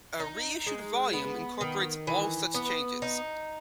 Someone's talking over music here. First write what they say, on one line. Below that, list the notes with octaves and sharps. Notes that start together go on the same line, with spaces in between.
A reissued volume incorporates all such changes.
D#4
G#3
B3
D#3
E3
B3
D#4